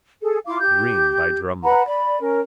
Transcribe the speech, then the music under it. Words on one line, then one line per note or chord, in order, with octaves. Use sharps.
Green by Drumleck.
G#4 A4
E4 F4 F5 D6
G4 G6
B4 F#5 A#5 B5
D5 B5
C#4 A#4